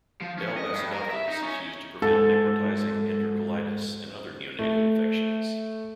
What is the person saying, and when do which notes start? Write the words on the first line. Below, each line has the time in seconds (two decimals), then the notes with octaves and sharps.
"L. acidophilus" is used to prevent necrotizing entercolitis and other neonatal infections.
0.21 F3
0.38 C#4
0.57 D#5
0.73 G2
0.93 A#4
1.10 E5
1.28 D#4
1.43 C#4
2.02 G#2 A4
4.59 A3